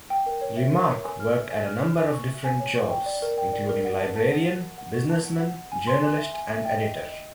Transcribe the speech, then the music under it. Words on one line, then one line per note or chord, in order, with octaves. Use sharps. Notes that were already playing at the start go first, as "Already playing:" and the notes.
Remarque worked at a number of different jobs, including librarian, businessman, journalist, and editor.
G5
A#4
C#5
E5
A#4
C#5
G#5
F6
E5
G#5
F6
F6
G#5
C#6
E5
G#5
C#5
C#6
G5
D5
A#4
G5
D5
A#4
F#5
A5
A5
F#5
A5
F#5
F#5
C#6
A5
F#5
F#5
F#5
G#5
C6
G#5
E5
G#5
E5
G5
D#5
D#5
D#5